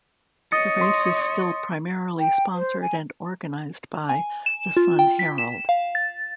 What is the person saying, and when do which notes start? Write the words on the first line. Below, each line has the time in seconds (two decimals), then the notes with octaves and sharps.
The race is still primarily sponsored and organised by "The Sun-Herald".
0.52 C#5 D#5 D#6 A6 C#7
0.81 C6 D#6
2.19 G5
2.54 C5
2.81 G#5
4.09 G#5
4.46 E7
4.77 F4
4.99 G5
5.19 B6
5.38 E7
5.69 F5
5.95 A6